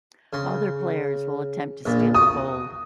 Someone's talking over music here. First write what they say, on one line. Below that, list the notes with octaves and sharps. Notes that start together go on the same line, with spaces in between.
Other players will attempt to steal the gold.
C#3 C6
A#1 A#2
F#4 D#6